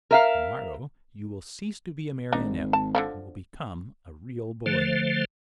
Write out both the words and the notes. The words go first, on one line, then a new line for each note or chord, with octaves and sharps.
"Tomorrow you will cease to be a Marionette and will become a real boy."
A#4 E5 F5
G#1 D4 D#4
A5
D3 D#3 F3
D3 F3 A3 C5